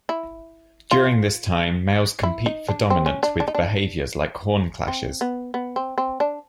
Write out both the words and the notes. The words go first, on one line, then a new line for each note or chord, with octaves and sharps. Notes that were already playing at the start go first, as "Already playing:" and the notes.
During this time, males compete for dominance with behaviors like horn clashes.
E4
F4
E4
D#4
D4
C4
C#4
D4
D4
D#4
D4
C4
B3
B3
C4
C4
D4